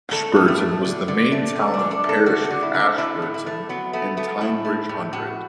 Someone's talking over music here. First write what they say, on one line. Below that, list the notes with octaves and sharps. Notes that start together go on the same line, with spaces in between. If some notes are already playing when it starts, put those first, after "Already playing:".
Ashburton was then the main town of the Parish of Ashburton, in Teignbridge Hundred.
A3 A4
A2
A3
A3
D3
D3
A3
D3
D4
D3
D4
A3
A4
D3 F#4
F#4
D3
E4
D3
D4
A3 E4
A2
E4
A3
F#3 B3
A3 B3
A3 B3
A2 E4
A3
A2
A2 F#4